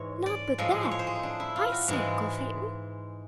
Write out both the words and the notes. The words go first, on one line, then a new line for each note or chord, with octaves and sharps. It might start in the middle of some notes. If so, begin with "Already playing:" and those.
"Not but that--I say, uncle Phaeton?"
Already playing: G#2 E3 G#3 C#5
D5
A2 F3 G#3
C#5
C5
G#4
D#4
D4
E4
F4
F#4
G#2 E3 G#3